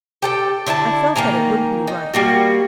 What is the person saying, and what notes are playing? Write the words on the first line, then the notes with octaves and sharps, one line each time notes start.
I felt that it wouldn't be right.
G4 A4 G5
D3 E4 F#4 A5
D#3 A#3 G#5 A#5
D#4
G3 A#3 F#4